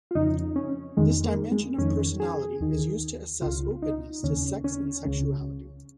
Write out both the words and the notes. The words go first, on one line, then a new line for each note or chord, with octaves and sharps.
This dimension of personality is used to assess openness to sex and sexuality.
F4
F2 C#3 D#4
C#4
F2 D#3 G#3
A#3
G#3
F2 D#3 C#4
G#4
D#2 D#3
C#2 C#3 F4
D#4
D#2 C#3 C#4
C#4
C#2 C#3